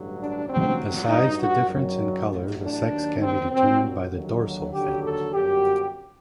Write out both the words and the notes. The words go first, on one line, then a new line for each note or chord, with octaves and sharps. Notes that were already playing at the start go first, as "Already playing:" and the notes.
Besides the difference in color, the sex can be determined by the dorsal fin.
Already playing: A1 G2 D3 F#3
D4
D2 C3 F#3 C4
A1 G2 F#3 D#4
F#4
F#1 F#2 D#3 F#3
A1 A2 F#3
D4
D#2 D#3 F#3
C4
C2 A#2 F#3 C4
D#2 D3 F#3
D#2 D3 F#3 G4
A4
G1 F#2 F#3 G4